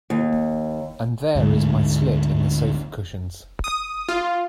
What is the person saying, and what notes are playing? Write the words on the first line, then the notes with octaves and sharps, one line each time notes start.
And there is my slit in the sofa cushions.
D#2
D2 G#2 D3 G#3
D#6
F4